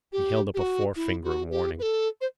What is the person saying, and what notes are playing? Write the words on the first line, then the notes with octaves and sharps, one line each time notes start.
He held up a forefinger of warning.
G4
G4
F#4
E4
F#4
G4
B4
A4
C5